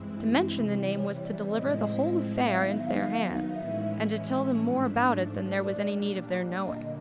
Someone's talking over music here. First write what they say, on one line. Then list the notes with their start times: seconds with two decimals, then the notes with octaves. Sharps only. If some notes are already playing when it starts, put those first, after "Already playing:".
To mention the name was to deliver the whole "affair" into their hands, and to tell them more about it than there was any need of their knowing.
Already playing: G2 E3 G#3 C4 E4
0.45 C3 E3 G3
0.97 C#5
1.23 D5
1.49 A2 F3 G#3 C4 E4 D#5
2.47 F5
2.52 D#3 F#3 B3 D#4 E5
2.69 E5
2.86 F5
3.55 A2 E3 G#3 C#4 E4 E5
4.59 G#2 F3 A3 D4
5.63 A#2 G3 A#3 D4 D5
6.66 D3 F#3 A#3 D#5